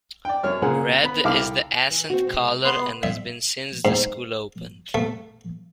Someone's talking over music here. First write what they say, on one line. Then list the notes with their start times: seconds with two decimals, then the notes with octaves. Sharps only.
Red is the accent color and has been since the school opened.
0.25 D5 G5
0.43 F#2 C#5 F6
0.62 A#2 C#3 A#3 G#4 F#5
1.03 B3 B5
1.24 C2 A4 E5 F5 D6 F6
1.90 E3
2.10 C4 F#4
2.27 C3 G#3
2.65 B3 C6
3.03 E5
3.85 G#2
4.94 A3